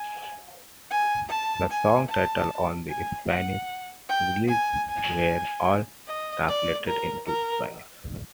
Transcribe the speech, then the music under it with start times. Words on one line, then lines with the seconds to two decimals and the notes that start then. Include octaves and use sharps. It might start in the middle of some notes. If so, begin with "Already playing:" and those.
The song titles on the Spanish release were all translated into Spanish.
Already playing: G#5
0.90 G#5
1.29 A5
1.70 G#5
2.09 A5
2.88 G#5
3.28 F#5
4.09 G5
4.48 G#5
4.88 G#5
6.07 D#5
6.48 D5
6.87 A#4
7.26 A#4